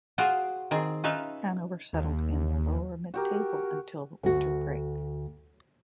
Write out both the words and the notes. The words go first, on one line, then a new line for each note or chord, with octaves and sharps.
Hannover settled in the lower-mid-table until the winter break.
F4 F#4 G#4 C5 G5
D#3 C4 G#4
C#4 D#4 F4 B4 E5
D#2
F#4 G4 A#4
D2 F#4